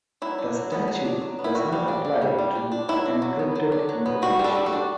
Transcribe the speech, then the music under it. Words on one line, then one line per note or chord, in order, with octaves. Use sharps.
The statute does not apply to "encrypted" information.
F#3 E4
D4
F#3
B3
F#3
D4
F#3
B3
E4
G3 F#4
G3
D4
D4
G3
G3
D4
D4
F#3 E4
D4
F#3
B3
F#3
D4
F#3
B3
G3 F#4
G3
A4
D4
F#4
D4